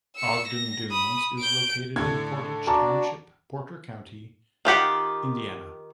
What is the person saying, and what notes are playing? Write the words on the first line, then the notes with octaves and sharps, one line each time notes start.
Ogden Dunes is located in Portage Township, Porter County, Indiana.
E6 C#7
A#6
B5 D#6
G6 D7
A2 D3 G#6
D4 F#4 D5 A5 A#5 D6
D#3 F4 G4 F#5